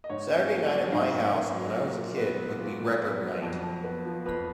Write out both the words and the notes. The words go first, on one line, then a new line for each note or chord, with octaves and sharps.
Saturday night at my house, when I was a kid, would be record night.
D#5
G#2 C#5
C#4
A#3
F#3
G#2 F5
C#4
A#3
F#3
A#2
A#2
B3
F#3
A#2
A#2
B3
F#3
F2
F2
B3
F3
F2 B4